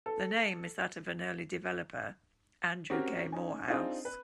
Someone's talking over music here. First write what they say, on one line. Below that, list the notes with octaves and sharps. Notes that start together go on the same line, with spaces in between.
The name is that of an early developer, Andrew K. Morehouse.
A4
C4 C#4 F#4 G4 A#4
C#4 D#4 G#5
C4 D4 D#4 F4 G#4 C5
B4